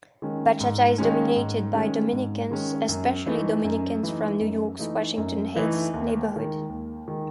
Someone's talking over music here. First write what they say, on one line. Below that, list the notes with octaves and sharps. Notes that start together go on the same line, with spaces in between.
Bachata is dominated by Dominicans, especially Dominicans from New York's Washington Heights neighborhood.
D#3 G#3 C#4
G#2
D#3 G#3 C#4
G#2
D#3 G#3 C#4
G#2
D#3 G#3 C#4
F#2
E3 A3 D#4
F#2
E3 A3 D#4
F#2
E3 A3 D#4
F#2
E3 A3 D#4
D#2
D#3 G#3
D#2
D#3 G#3